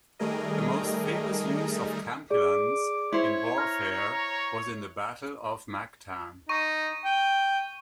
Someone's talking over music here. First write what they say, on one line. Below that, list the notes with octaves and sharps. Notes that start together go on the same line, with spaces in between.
The most famous use of kampilans in warfare was in the Battle of Mactan.
D#3 G3 A3 G#4 A#4 D#5
G#4 D5 D6
E4 C5 C#5
A#5 F6
D#4 C#6 D#7
G5